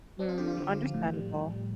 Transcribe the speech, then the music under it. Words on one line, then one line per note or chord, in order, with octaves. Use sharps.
Hmm, understandable.
C4 D4
F4
D3 G4
F4
F3
F3
A2
G3
A2
G3